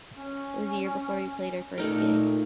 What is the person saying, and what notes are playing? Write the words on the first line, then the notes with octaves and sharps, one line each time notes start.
It was a year before we played our first gig.
C#4
A#2 A3 D#4 A#4